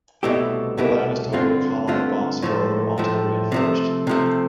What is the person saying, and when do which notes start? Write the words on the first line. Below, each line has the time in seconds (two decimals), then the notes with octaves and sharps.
The line is told it cannot advance further until reinforced.
0.23 C2 B2 A3 E4 G4
0.77 C2 B2 A3 E4 G4
1.33 G2 D3 A3 C4 F4
1.87 G2 D3 A3 C4 F4
2.42 A2 F3 A3
2.98 A2 F3 A3
3.52 C3 F3 A3
4.07 C3 F3 A3